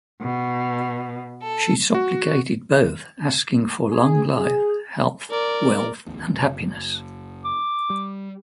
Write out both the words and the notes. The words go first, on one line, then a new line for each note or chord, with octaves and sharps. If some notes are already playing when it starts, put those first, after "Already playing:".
She supplicated both, asking for long life, health, wealth, and happiness.
B2
A4
F#4
G#4
G#4
A#4 D5
D1 A1 E2
F#1
D6
G3